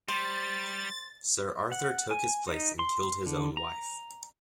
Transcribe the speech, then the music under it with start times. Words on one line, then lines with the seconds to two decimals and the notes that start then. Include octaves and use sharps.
Sir Arthur took his place and killed his own wife.
0.08 G3 C5 A6
1.72 F#5
2.11 G#5
2.48 D#4
2.79 C6
3.26 D3
3.57 A#5